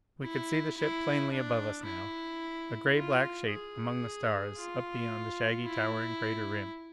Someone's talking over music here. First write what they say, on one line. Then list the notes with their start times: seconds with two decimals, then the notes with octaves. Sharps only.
We could see the ship plainly above us now, a gray-black shape among the stars up beyond the shaggy, towering crater rim.
0.23 E4
0.77 E4
1.32 D4
1.86 E4
2.94 F4
3.48 G#4
4.57 F4
5.65 E4